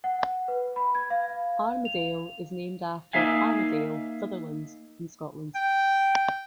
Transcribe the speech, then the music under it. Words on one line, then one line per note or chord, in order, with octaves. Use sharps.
Armadale is named after Armadale, Sutherland in Scotland.
F#5
B4
B5
G#6
F5
F7
A#3 D#4 E5 F5 G#5
G5